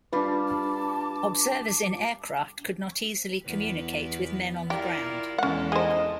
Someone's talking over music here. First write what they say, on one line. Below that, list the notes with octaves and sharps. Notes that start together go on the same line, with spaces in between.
Observers in aircraft could not easily communicate with men on the ground.
G3 D4 F4 B4 A5 D6
E2 B3 B4
E4 F4 G4 A#4 D5
E2 G#3 C#4 A4 F#5
D4 G#4 A#4 C5 D#5